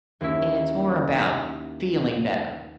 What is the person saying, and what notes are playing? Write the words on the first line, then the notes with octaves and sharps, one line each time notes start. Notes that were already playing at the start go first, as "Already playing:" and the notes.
And it's more about feeling better.
D#2 A#3 C#4 E4 B6